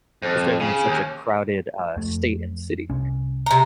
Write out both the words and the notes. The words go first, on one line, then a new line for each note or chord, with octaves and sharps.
especially in such a crowded, uh, state and city,
F2
C#3
D#2
F2 A3
C2 C#4
C3 A#5